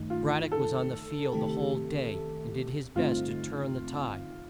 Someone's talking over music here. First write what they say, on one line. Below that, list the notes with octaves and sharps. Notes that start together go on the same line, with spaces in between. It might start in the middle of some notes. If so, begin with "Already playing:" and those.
Brad-dock was on the field the whole day, and did his best to turn the tide.
Already playing: G2 D#3 A3 D#4
F4
A4
C3 D#3 A3 C4 G4
G2 D3 A3 C4 D#4 F4